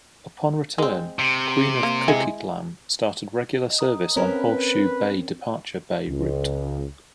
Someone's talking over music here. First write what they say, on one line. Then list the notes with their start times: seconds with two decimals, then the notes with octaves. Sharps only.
Upon return, "Queen of Coquitlam" started regular service on Horseshoe Bay-Departure Bay route.
0.78 G#3 C4
1.19 C3
1.83 A#3
2.08 G#3 E4 G#5
4.16 C4 C#4 A#4 B4
6.09 C#2